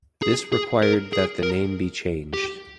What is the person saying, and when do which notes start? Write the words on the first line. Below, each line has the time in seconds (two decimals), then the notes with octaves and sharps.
This required that the name be changed.
0.23 G#4
0.52 G#4
0.82 A#4
1.13 G#4
1.43 A#4
2.34 G4